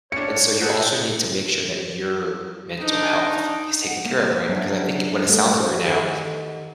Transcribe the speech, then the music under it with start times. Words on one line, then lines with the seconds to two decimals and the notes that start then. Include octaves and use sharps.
And so, you also need to make sure that your mental health is taken care of, right? Because I think what it sounds like right now
0.12 C#4 D4 C#5 C#7
0.61 G#4 A4 C5 F#5
2.82 D4 D#4
3.87 F#5
4.05 A#3
4.49 F#3 C#4 D4 E5 F5
5.26 G3 A3 B3
5.60 F#4 G4 C5 C#5
5.86 D#3 G4 A4 F#5